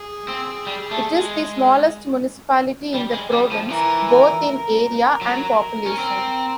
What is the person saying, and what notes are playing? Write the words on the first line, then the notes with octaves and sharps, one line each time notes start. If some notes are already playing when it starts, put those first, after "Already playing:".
It is the smallest municipality in the province, both in area and population.
Already playing: G#4
C4
G3
A3
G#3
G3
G#3
G3
F3
E3 A#4
A#4
A#4
F#3
C#4
C4